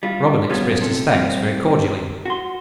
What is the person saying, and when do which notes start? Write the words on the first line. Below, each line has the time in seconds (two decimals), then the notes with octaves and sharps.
Robin expressed his thanks very cordially.
0.03 G3 F4
0.49 F#2 G3 G#3 B3 C#4 F4
0.81 C3 A4
1.11 A#2 G3 A#3 C4
2.26 F#4 C6